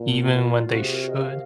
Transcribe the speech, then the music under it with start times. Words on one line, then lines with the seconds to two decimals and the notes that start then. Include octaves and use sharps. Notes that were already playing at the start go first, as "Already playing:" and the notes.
even when they should.
Already playing: A#2
0.20 F#4
0.31 F4
0.44 F4
0.56 F4
0.69 C3 F#4
0.82 G#4
0.94 A#4
1.07 D#5
1.19 F5